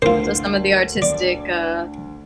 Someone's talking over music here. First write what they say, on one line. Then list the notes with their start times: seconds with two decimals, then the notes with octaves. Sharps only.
So, some of the artistic, uh,
0.02 D2 F4 A#4 C5
1.02 D5